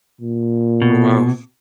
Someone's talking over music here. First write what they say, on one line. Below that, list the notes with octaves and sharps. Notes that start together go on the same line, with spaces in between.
Oh, wow.
A#2
B2